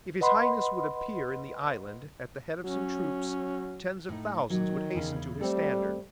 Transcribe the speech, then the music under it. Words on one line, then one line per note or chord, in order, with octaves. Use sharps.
If his Highness would appear in the island at the head of some troops, tens of thousands would hasten to his standard.
B4 D#5 F#5 B5 C6
F#3 C#4
A2 D#4
D#3 F#3
E2 C#3
G3 A3 C4 A4